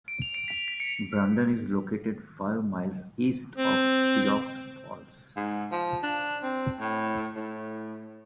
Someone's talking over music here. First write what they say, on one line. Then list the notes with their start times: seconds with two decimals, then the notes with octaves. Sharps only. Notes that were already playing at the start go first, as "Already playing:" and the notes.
Brandon is located five miles east of Sioux Falls.
0.08 D7
0.22 F7
0.34 D7
0.48 B6
0.68 B6
0.80 C#7
3.57 C4
5.36 G#2
5.71 F3
6.03 D4
6.43 C4
6.80 A2
7.36 A2